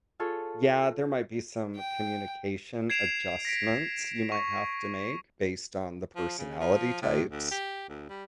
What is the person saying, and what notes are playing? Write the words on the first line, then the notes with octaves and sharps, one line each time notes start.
yeah, there might be some communication adjustments you might have to make based on the personality types,
F4 G#4 A4 C#5
G5
G#6 C7 D7 E7 F7
A#6 B6 D7
C#6
F3
C#3
F3
A2
D2
G4
D2
G3